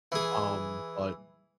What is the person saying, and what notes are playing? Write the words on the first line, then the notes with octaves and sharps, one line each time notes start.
um, but
E3 G#4